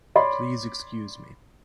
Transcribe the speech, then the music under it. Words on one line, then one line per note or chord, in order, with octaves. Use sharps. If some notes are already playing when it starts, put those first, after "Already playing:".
Please excuse me.
C#5 D5 B5 C6 D6